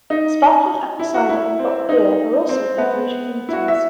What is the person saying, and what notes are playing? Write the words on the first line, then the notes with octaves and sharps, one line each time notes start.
Sparkling apple cider and Bock beer are also beverage affinities.
D#4
E4
F#4
E4
C4
D#4
C4
B3
E4
F#4
E5